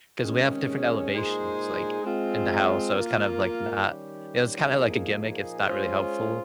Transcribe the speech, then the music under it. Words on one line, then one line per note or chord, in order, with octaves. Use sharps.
'cause we have different elevations, like, in the house, so it's kind of like not it's kinda like a gimmick, it's not really helpful,
C3 D#3 G#3 C#4 G#4
A#2 G#3 D#4 G#4 C5
G#3 C4 F4
A#3 F4 A#4
D#3 G3 C#4 G4
A#2 F3 A#3 D#4 G#4
G#3 C#4 F4 G#4 C5